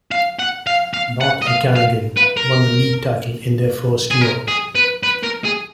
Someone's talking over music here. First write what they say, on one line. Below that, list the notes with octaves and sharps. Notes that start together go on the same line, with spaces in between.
North Okanagan won the league title in their first year.
F5
F#5
F5
F5
F#5
D#5
F5
F5
B4
A#4
G#4
A#4
G#4
B4
B4
A#4
G#4